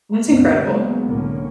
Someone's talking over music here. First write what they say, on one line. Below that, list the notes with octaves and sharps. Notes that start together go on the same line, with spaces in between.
That's incredible.
D2 G2 B2 B3
C#3 F#3 G#3 A#3 B3 C#4
C2 A2 D3 A#3 C#4